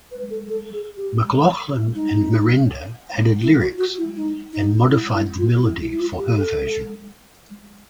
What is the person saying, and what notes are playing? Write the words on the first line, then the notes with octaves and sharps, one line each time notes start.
McLachlan and Merenda added lyrics and modified the melody for her version.
B4
A4
A4
G#4
G4
D#4
E4
F#4
F#4
E4
D#4
D#4
E4
E4
F4
E4
E4
E4
F4
G4
A4